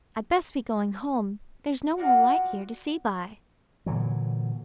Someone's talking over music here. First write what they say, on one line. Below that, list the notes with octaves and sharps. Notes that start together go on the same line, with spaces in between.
"I'd best be going home; there's no more light here to see by."
F4 F#4 D5 F#5
A#2 D3 E3 F#3